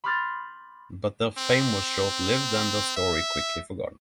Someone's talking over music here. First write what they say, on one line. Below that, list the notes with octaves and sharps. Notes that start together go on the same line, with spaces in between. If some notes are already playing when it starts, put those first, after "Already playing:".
But their fame was short-lived and their story quickly forgotten.
B5 C6 D6 F6 G6 A6
C4
E5